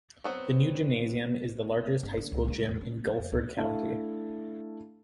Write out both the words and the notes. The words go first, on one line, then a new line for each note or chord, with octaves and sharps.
The new gymnasium is the largest high school gym in Guilford County.
F#3 B3 C4
G1
D3
C#2
G#3
E2
C#4
F#3
F2
D2
A3 D4 E4 A4 F5 A5